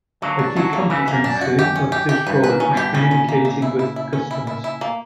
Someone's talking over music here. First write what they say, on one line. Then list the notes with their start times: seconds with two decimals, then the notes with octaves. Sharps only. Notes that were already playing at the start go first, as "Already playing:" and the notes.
A key competency of this role is communicating with customers.
0.22 D3 F#3 A#3
0.39 D4
0.56 D3 F#3 F#4
0.73 A#3
0.90 C#3 E3 F#4
1.08 F#2 A#3
1.24 D4
1.35 F#2
1.41 F#4
1.59 G4
1.76 C#4
1.92 G4
2.09 G4
2.27 G2 B4
2.44 B4
2.49 A#2
2.60 C#4
2.71 G2 B2
2.77 G4
2.94 A#2 C#3 C#4
3.11 C#4
3.29 A#3
3.45 A#3
3.62 E4
3.79 E4
3.96 E4
4.13 C#4
4.31 E4
4.47 E4
4.64 E4
4.81 A#3